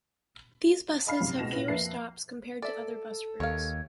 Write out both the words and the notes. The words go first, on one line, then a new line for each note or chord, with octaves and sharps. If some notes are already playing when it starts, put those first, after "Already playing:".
These buses have fewer stops compared to other bus routes.
D#5 F5 B5 F6 C7
G#1 F#2 C3 F5
C#2 B2 A#6 E7 F7
A#2 E4 B4 F#7
F2 A#3 B4 E5 C7
A4 D5 E5
D#2 C#5 F5 G#6